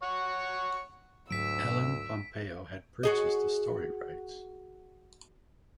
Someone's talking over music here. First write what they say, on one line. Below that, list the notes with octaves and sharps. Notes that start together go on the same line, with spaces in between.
Ellen Pompeo had purchased the story rights.
C#5 F#5 C#6
D2 G#2 F#3 E6 B6 D7
F#4 G#4 D#5